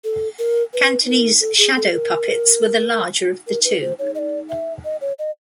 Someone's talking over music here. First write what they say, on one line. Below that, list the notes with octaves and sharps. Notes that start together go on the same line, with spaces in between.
Cantonese shadow puppets were the larger of the two.
A4
A#4
B4
B4
A#4
A4
G#4
A4
A#4
A#4
B4
C5
C#5
D#5
D5
E5
D#5
C#5
D#5